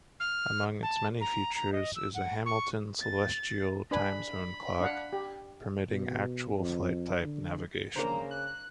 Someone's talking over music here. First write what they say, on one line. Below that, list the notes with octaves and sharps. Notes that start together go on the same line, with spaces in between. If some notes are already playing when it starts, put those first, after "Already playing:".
Among its many features is a Hamilton celestial time-zone clock permitting actual flight-type navigation.
F6
A5
A#5
A#5
D#5
E6
F#5
C#6
A6
D4 B4 G#5 B5
D4 F5 F#5
G4
B2
F2
D3
C#3 A#3 D4 C5 A#5
F#6